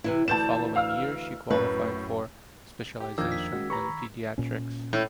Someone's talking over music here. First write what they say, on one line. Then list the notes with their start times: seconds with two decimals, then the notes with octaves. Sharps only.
The following year she qualified for specialization in pediatrics.
0.04 C3 E3 E4
0.28 D2 E3 D5 A5 G6 E7
0.76 F5 E6 F6
1.50 F#2 A2 B4
3.00 G4
3.18 F2 D#3 F3 A#3 D4 E6 G#6
3.32 B6
3.53 G#3 C#4 F#4
3.70 G4 B4 A#5 B5 C#6
3.89 D#3
4.38 A#2 C#4
4.93 A2